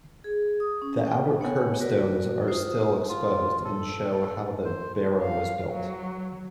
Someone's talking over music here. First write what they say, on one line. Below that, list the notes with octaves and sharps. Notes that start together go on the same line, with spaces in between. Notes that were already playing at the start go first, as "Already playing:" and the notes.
The outer kerb stones are still exposed, and show how the barrow was built.
G#4
D#6
C#4
G5
B3 C#5 F#5 G#5
F#4 A#4 B4 D5
F4 C5 D#6
F4
A4
C5
F5
F#3